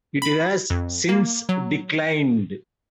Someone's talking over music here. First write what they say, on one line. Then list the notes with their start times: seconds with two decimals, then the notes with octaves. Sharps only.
It has since declined.
0.22 B5
0.70 F2
1.09 A#3
1.49 F#3